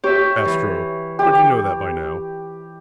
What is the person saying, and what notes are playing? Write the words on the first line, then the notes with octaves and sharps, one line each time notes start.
"Astro, but you know that by now."
G4 C#5 E5
E3
G4 D6